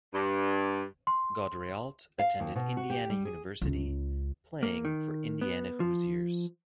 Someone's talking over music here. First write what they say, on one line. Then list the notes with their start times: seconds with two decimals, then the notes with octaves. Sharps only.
Gaudreault attended Indiana University playing for Indiana Hoosiers.
0.13 G2
1.07 C6
2.19 F5
2.40 D#2
2.56 B2
2.77 F#4
2.90 G4
3.10 G3
3.25 G#4
3.62 C#2 C#3
4.63 A#3
4.85 D#3
5.41 B3
5.80 F3